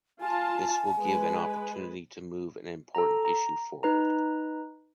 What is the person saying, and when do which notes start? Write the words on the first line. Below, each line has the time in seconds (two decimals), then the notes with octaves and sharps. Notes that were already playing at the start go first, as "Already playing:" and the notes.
This will give an opportunity to move an important issue forward.
0.21 F4 G#5 A5
0.98 G#3 B4
2.95 A4 A#5
3.25 A#5
3.83 D#4 B4 A#5